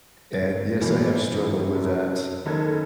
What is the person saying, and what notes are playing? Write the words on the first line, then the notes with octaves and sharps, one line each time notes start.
And, yes, I have struggled with that,
B2 E3 F3 A#3
F#2
F1
F#1 D#3 A4 G#6